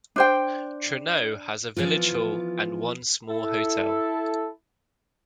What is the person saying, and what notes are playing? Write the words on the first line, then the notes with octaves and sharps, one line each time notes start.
Treknow has a village hall and one small hotel.
D4 C5 G5
E3 F3 B3 F4
E4 A4